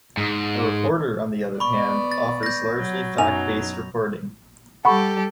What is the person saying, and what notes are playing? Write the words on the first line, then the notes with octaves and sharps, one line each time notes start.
A reporter, on the other hand, offers largely fact-based reporting.
G#2
B3 D5 B5 C#6
A6
G6 A#6
F#3
F#2 B2 F#3 D#4 G#5 F7
G3 G4 A4 F#5 B5 C#6